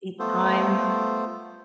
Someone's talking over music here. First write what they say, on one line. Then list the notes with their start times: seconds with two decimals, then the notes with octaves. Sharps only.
each time,
0.19 A3 B3 F4 A4 C5